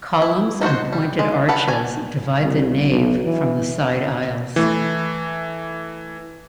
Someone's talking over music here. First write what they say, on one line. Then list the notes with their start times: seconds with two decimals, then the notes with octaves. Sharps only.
Columns and pointed arches divide the nave from the side aisles.
0.22 E4
0.61 D#4 F#4 A#4 C5
0.92 G3
1.19 G#3
1.48 G4 A4 B4 F#5
1.68 D5 G#5
2.41 C2
2.87 B1
3.24 E3
4.56 E3 A3